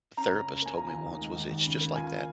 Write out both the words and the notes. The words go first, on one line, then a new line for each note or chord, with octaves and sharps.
therapist told me once was it's just like that,
C#4 A#5
C#2
C#3
A#3 G#5
F4 A#5
D#2
D#3
G#3
D#2
D#2
C#3
A#3
F4 G#5